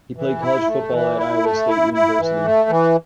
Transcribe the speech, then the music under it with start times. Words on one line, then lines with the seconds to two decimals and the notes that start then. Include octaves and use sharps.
He played college football at Iowa State University.
0.17 E3
0.41 E4
0.67 A3
0.92 E3
1.18 E4
1.43 A3
1.69 E4
1.94 E4
2.19 E3
2.44 A3
2.69 E3